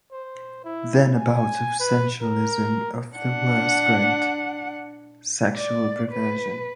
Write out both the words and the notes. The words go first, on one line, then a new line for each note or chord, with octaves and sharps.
Then a bout of sensualism of the worst grade, sexual perversion.
C5
E4
G#5
B4
A#4
D4 F#5
D5
B4